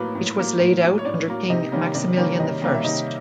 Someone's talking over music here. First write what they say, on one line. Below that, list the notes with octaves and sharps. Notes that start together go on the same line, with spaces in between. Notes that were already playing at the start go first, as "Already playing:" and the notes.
It was laid out under King Maximilian the First.
Already playing: A2 F#3 A#3 B4
A2
F#3 A#3
A2
F#3 A#3
C#5
A2 D4 D5
F#3 A#3
C3 D#4 D#5
D#3 G3 A#3 C#4
C3 D4 D5
D#3 G3 A#3 C#4
C3 D#4 D#5
D#3 G3 A#3 C#4
E5
C3 D#4 D#5